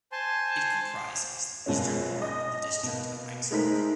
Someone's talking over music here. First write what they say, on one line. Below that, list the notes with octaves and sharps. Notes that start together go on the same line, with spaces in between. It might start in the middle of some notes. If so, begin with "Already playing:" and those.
It comprises the eastern part of the district of Eichsfeld.
C5 G#5 A5 C6
F#2 B2 F3 G#3 C#4
D#5
B2 A#3
G#3 A3 D#4 A#4 C5 B6